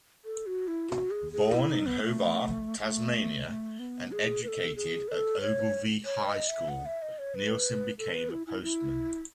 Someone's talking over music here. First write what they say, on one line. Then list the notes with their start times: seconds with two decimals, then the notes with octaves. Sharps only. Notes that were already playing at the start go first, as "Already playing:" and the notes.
Born in Hobart, Tasmania, and educated at Ogilvie High School, Neilson became a postman.
0.25 A4
0.46 F#4
0.68 E4
0.90 F#4
1.11 G#4
1.32 G#4
1.54 E4
1.70 D#4
1.86 B3
2.03 A3
2.83 A3
3.47 A3
3.79 B3
4.12 G#4
4.44 B4
4.48 A4
4.76 G#4
5.08 B4
5.12 A4
5.41 C#5
6.05 C#5
6.27 D#5
6.48 E5
6.69 F#5
6.86 E5
7.02 D#5
7.19 C#5
7.35 B4
7.99 A4
8.14 B4
8.30 E4
8.47 E4
8.63 E4